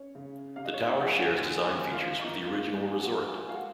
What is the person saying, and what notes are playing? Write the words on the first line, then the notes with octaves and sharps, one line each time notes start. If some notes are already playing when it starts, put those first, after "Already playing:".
The tower shares design features with the original resort.
Already playing: C#4 C#5
C#3
C3 F5
D#5
C#5
D#4 D#5
F3 F#5
G#5
F#4 F#5
D#2 G#4 G#5
G#4 G#5
D#3
F4 F5
D#3 D#4 D#5
F4 F5
A#3
G#4 G#5
F3 F#4 F#5
G#4 G#5
G#3
F5
F#4 F#5